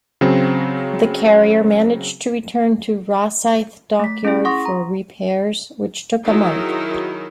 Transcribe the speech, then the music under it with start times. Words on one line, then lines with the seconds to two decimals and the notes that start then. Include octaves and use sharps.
The carrier managed to return to Rosyth Dockyard for repairs, which took a month.
0.21 C#3 F#3 C4
4.00 A3 B6
4.25 C#4 E4 G#4
4.45 F#5 C6 C#6 D#6 A#6
4.65 A#5
6.25 D#3 F#3 D#4 E4 G#4 A#4